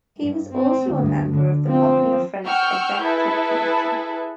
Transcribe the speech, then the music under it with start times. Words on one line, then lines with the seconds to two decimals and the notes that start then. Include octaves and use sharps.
He was also a member of the Popular Front's executive committee.
0.18 G2
0.54 C4
0.93 D2 G2
1.33 D3
1.65 F3 C4
2.45 F#5 G5 C#6 E6 F6 G6
3.02 E4 G#4 A4 B4 E5